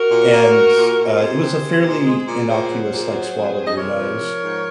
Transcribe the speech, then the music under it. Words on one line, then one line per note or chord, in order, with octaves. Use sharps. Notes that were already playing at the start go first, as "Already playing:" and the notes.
and, uh, it was a fairly innocuous, like, swab of your nose.
Already playing: F#4 A#4
A#2
A#3
A#3
A#2
A#2
C3 G#4 C5
C3
C3
A#2
G#3
A#2
A#2 G#4 C5
F#3
A#2
F#3
F2
F2
D#5
C3 A#4 C#5
F3
F3
G#2